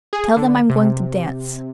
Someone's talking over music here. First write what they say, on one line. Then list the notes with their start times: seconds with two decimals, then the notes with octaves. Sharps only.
Tell them I'm going to dance.
0.13 G#4
0.37 D3
0.69 C3